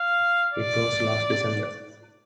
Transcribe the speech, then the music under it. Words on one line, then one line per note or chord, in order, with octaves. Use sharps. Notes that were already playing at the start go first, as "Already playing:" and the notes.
It was last December.
Already playing: F5
D5